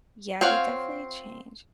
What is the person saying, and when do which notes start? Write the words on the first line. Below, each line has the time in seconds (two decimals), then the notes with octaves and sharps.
Yeah, they definitely change.
0.41 C4 F4 C#5 F5 F#5